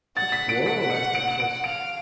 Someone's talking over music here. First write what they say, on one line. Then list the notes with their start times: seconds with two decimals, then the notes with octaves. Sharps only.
"A quarrel?" asked Athos.
0.16 F#5 A6
0.32 B6
0.49 D7
0.66 F#5 B6
0.90 C#7
1.15 D7
1.40 D7
1.63 F5 D7